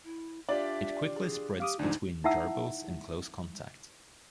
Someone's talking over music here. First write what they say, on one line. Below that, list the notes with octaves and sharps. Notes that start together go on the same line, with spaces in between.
It quickly spreads between gerbils in close contact.
E4
D4 F4 G4 D5 E5 F#7
G#4
G4 F5 D6 D#6
D2 G#2 F3 D4 D#4
D#4 E4 E5 F#5 A5 E6